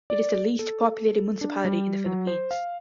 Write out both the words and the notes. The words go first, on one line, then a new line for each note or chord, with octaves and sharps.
It is the least populated municipality in the Philippines.
D5
A4
D4
G3
F#3
C5
F5